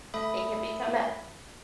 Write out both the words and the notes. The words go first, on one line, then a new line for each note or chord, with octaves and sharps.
it can become a
A3 A4 E5 B5 D#6